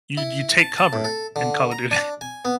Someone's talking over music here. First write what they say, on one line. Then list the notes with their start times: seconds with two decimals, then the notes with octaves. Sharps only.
You you take cover in Call of Duty.
0.17 E4
0.60 A5
0.78 A5
0.93 A2
1.05 A4
1.36 D3
1.71 A#5
1.91 D4
2.21 G#5
2.45 B3